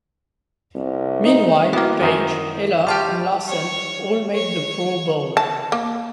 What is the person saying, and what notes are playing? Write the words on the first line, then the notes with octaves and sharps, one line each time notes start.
Meanwhile, Page, Eller and Larsen all made the Pro Bowl.
C2
D#4
A#3 B3 E4 F#4
F#2 D#3 D#4
G3 F4 G4 G5 A5 C#6
C#5
C#5
A5
A#3